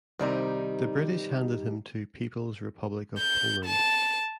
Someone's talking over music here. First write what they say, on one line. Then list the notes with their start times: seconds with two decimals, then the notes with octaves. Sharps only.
The British handed him to People's Republic of Poland.
0.19 C2 C3 D#3 G3 D#4
3.18 G6
3.65 A5